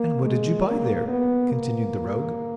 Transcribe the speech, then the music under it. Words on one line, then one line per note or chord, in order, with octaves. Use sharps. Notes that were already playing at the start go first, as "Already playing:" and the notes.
'And what did you buy there?' continued the rogue.
Already playing: A#3
G#3
A#3
B3
A#3